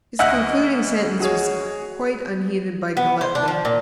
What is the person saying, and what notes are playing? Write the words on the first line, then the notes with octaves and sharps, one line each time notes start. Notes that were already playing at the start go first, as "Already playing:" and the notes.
His concluding sentence was quite unheeded by Galletly.
D2 D#5 E5 F#5 F#6
F#4 G#4 C#5
B3
C5
D4
F3
A#2